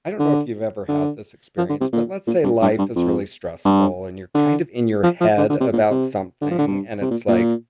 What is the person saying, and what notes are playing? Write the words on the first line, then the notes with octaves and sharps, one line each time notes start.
I don't know if you've ever had this experience, but let's say life is really stressful, and you're, kind of, in your head about something, and it's, like,
D3
D3
F3
D3
C3
A#2
A#2
G2
G2
G2
F2
G2
D3
F3
F3
D3
D3
C3
A#2
C3
D3
F3
D3
G2
C3
A#2
A#2